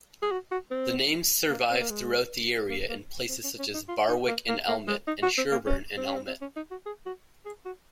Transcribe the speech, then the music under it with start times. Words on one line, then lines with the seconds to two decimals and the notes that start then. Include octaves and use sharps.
The name survives throughout the area in place names such as Barwick-in-Elmet and Sherburn-in-Elmet.
0.23 G#4
0.32 F#4
0.52 F#4
0.71 C4
1.50 A#3
1.71 C4
1.81 A#3
1.90 G#3
2.70 A#3
2.89 A#3
3.29 C4
3.44 C#4
3.59 C#4
3.74 D#4
3.88 F4
4.09 D#4
4.28 A#3
4.49 A#3
4.68 A#3
4.88 G#3
5.08 D#4
5.23 F#4
5.38 C4
5.52 A#3
5.67 C#4
5.97 C4
6.06 C#4
6.15 C4
6.27 C4
6.42 C#4
6.56 D#4
6.71 F#4
6.86 G#4
7.06 F#4
7.46 G#4
7.66 F#4